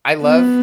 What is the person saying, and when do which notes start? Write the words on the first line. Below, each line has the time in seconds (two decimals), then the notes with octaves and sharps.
I love
0.22 B3